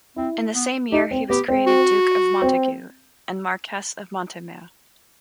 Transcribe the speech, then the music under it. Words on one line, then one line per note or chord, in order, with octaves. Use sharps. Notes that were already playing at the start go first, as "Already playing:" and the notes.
In the same year he was created Duke of Montagu and Marquess of Monthermer.
C4 E4
B3
D#4 G4
C4
B3 G4
C4
F#4
C4